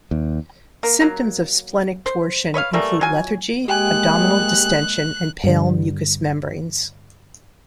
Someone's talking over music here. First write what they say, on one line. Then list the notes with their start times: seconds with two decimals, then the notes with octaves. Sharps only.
Symptoms of splenic torsion include lethargy, abdominal distension and pale mucous membranes.
0.11 D#2
0.83 A#3
1.00 F#3 A#3
2.06 C5
2.54 B4 C#5 D#5 F5
2.73 E3 G3 A3 A#3
3.01 F#3 F4 G#5
3.68 G#3 A#3 G4 G5 G#5 F#6
5.44 G2 D3